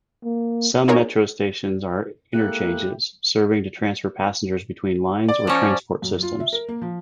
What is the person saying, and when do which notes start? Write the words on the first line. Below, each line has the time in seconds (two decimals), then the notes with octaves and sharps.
Some metro stations are interchanges, serving to transfer passengers between lines or transport systems.
0.24 A#3
0.88 D#4 F4 G#4 A#4 C#5
2.34 G#3 A#3 E4 G4 A4 F#6
5.28 D5
5.47 F3 C#4 A#4
6.02 F#2
6.23 F4
6.40 E5
6.53 A#4
6.69 A#3
6.82 F3